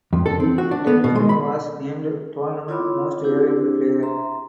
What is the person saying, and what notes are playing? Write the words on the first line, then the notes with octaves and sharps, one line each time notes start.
Lee Delfino was named Tournament Most Valuable Player.
F2
A4
C4
F#4
D4
B3
B2
G#3
B5
E4 F4 C#5 B5 C6 D6
C4 D4 E4 G4 G#4 C5
E5 A#5 C6